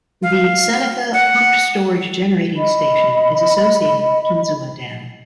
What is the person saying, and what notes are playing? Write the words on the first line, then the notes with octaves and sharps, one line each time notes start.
The Seneca Pumped Storage Generating Station is associated with Kinzua Dam.
F5
F#5
D#5 B5